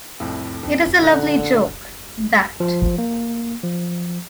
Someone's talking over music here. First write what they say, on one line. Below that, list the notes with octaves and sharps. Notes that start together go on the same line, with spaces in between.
It is a lovely joke, that.
C2 F2 A2
F2
A#2 D3 F#6
F3
A#3
F3